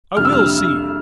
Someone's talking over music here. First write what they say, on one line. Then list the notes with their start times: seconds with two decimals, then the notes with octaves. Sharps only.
I will see!
0.17 F2 C3 G3 D4 F6
0.25 E6
0.33 F6